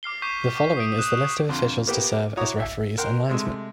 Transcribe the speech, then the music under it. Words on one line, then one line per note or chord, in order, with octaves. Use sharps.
The following is the list of officials to serve as referees and linesmen.
D6 F6 C7 G7
C#6 D6 G6 B6 C7 D#7
C#6 D6 B6
D#6 D7
D#6 F#6 E7
F2 D3 C6
A#3 B3 G4
E4 F#4 C#5 A#5 D6 D#6
E5
A#4 F#5 G5 C6
C3 G#3 A3